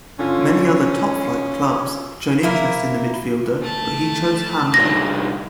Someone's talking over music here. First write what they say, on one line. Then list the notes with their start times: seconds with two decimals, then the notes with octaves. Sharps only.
Many other top-flight clubs had shown interest in the midfielder but he chose Hamburg.
0.19 D3 C#4 F4
2.43 A#3 E4 A#4
3.61 A3 A5
4.74 C2 D3 A#6